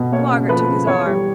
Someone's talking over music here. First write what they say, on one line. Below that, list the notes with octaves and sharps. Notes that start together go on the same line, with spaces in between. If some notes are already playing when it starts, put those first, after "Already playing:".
Margaret took his arm.
Already playing: B2
A#3 C#5
C#3
F3 B4
C#3
E2 C#5
G3